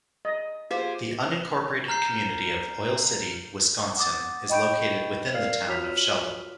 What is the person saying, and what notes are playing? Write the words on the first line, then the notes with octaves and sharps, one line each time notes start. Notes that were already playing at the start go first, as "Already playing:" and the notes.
The unincorporated community of Oil City, Wisconsin is located within the town of Sheldon.
D#5
F4 G4 G#4 C5
A#5 F6 G6 C7
F#5 D6 D#6 A6
D#5 G5 B5 C#6 G6 D7
A#4 D5 F5 F6 C7
F4 F#4 C#5 F6 B6 F7